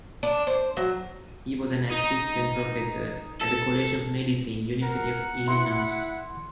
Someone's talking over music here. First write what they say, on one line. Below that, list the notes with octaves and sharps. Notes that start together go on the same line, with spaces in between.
He was an assistant professor at the College of Medicine, University of Illinois.
D4
C5
F#3
D#4
A4
A#4 F#5
E4 C6